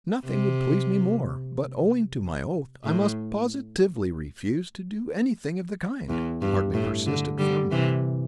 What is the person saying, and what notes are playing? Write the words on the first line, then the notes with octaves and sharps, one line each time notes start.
"Nothing would please me more, but owing to my oath, I must positively refuse to do anything of the kind," Hartly persisted, firmly.
C3
A2
E2
G2
A2
D3
D3 G3
C3 E3